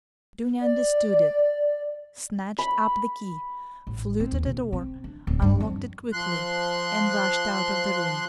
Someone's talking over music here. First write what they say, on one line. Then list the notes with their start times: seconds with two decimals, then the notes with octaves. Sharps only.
Dounia understood it, snatched up the key, flew to the door, unlocked it quickly and rushed out of the room.
0.62 D5
2.58 B5
3.87 A1
4.20 C4
4.32 D#2
4.46 B2
4.72 C4
5.04 D4
5.27 D1
5.42 G2
5.60 F2
6.13 F3 C6 F#6